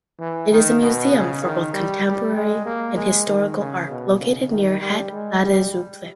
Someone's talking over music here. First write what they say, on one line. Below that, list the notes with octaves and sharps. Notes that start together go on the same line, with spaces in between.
It is a museum for both contemporary and historical art located near het Ladeuzeplein.
E3
D#3
B2
C#3
D#3
G3
G3
G#3
A#3
G#3
D#3
C#3
B2
C#3
D#3
G3
G#3
G3